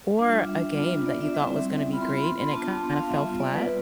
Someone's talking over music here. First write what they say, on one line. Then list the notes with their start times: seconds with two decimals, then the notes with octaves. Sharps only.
or a game that you thought was gonna be great and it kinda fell flat?
0.18 G3 D4 F4
0.47 E5
0.76 B3 D4 F4
1.06 D5
1.21 E5
1.34 G3 C4 E4 E5
1.93 B3 F4 B5
2.01 C6
2.10 B5
2.51 B3 D4 F4 A5
2.81 C6
2.96 F5
3.10 G3 B3 F4 E5
3.40 D5
3.54 B4